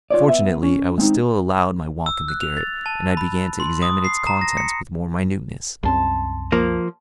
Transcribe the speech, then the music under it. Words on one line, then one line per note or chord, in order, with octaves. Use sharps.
Fortunately, I was still allowed my walk in the garret, and I began to examine its contents with more minuteness.
F4 C#5 D5
B3 E5
C#4
G#3 C4 D#4
E6
F#6
F7
A6
A5
B5
C6
D#6
C7
A#5
A#6
C#7
C2 F#2 C4 A5 C6
F3 A#3